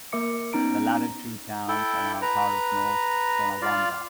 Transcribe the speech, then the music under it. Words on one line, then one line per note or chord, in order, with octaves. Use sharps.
The latter two towns are now part of North Tonawanda.
A#3 A#4 E5 D6 C#7
B3 C#4 D#4 A#5 D7
E4 A4 G5
B4 A#5
F4 D5 F5